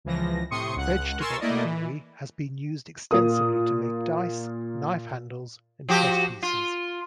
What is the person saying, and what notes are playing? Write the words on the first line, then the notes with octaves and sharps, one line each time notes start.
Vegetable ivory has been used extensively to make dice, knife handles, and chess pieces.
C#2 E3 F3 A#6
A2 C3 C6 C#6 D#6 C#7
C#2 F#5 F#6
A#4 G#5 C6 C#6 E6 A6
A3 A#3 E4 D5 D#5
E3
A#2 A#3 D#6
F3 F#4 G4
F4